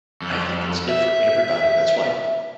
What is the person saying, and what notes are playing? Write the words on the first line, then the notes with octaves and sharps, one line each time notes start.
I think it's good for everybody. That's why
F2
E5